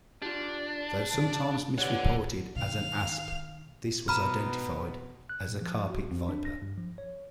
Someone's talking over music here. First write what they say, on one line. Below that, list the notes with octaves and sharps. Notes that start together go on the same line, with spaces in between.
Though sometimes misreported as an asp, this was identified as a carpet viper.
D4 F4 G4
C#3
G4 B4 C#5 D5 F#5
B2 D#3 F5 F7
B2 B3 A#5 B5 F6
F#6
A#2
F3
F#4
F2
D4
A#6
G2
F3
C#5